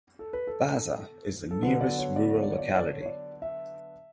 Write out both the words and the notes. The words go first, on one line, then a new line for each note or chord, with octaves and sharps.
Baza is the nearest rural locality.
A4
B4
A4
A4
D3 F#3 B3 B4
D5
C#5
D5
C#5
D5
C#5
D5
C#5
D5
C#5
C#5
D5
E5